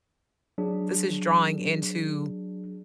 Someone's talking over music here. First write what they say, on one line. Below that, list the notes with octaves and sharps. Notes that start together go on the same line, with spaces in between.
this is drawing into
F#3 D4 G#4